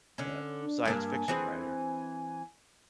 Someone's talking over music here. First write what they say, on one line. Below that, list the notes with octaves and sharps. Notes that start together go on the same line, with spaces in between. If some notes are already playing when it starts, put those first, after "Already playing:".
the science fiction writer,
D3 C#4
D4
G2 A#3 D4 G#5
E3 C4 G#4